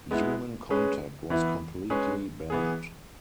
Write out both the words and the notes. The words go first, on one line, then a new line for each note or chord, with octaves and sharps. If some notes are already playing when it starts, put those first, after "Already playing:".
Human contact was completely banned.
G#3 B3 E4
G#3 C#4 G#4 B4
E3 B3 E4
G#3 C#4 G#4 B4
E3 B3 G#4